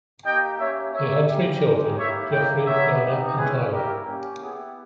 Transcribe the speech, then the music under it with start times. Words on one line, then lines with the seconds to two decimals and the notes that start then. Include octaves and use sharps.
They had three children: Jeffrey, Dana and Tyler.
0.24 A#3 D#4 G4 D#5 G5
0.58 A#3 C#4 G4 C#5 E5
0.93 A#3 D#4 G4 C#5 E5
1.28 G3 A#3 C#4 G4
1.63 G#3 D#4 G4
1.97 A#3 E4 G4 C#5 E5
2.31 A#3 E4 G4 D#5 G5
2.67 B3 D#4 G4 C#5 E5
3.01 B3 D#4 G4
3.36 G#3 C#4 E4 G4 G#4 B4
3.71 G3 A#3 E4 G4 A#4
4.05 A#3 C#4 G4
4.40 B3 E4 G4 G#4